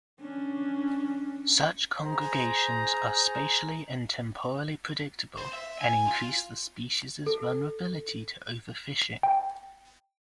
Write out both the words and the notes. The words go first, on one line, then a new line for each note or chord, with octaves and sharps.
Such congregations are spatially and temporally predictable and increase the species' vulnerability to overfishing.
C#4 D4
G#4 C5 A#5
C5
E5
G#5
F4
A4
G5